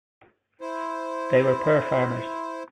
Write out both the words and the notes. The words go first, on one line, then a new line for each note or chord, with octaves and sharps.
They were poor farmers.
E4 C5